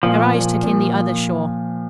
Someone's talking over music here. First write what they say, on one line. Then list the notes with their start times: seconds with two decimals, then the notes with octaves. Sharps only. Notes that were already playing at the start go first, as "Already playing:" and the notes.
Her eyes took in the other shore.
0.03 A#2 F3
0.33 A#2
0.63 A#2